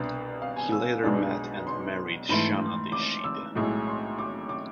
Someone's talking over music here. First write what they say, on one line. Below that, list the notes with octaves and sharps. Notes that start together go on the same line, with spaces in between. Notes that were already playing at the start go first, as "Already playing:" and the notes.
He later met and married Shanna the She-Devil.
Already playing: C2 B2 B3 D4
F5
G#5
E6
B1 B2 G#3 D4
C6
G#2 E3 A3 B5
D6
E6
B1 A2 G#3
C6
D6
D6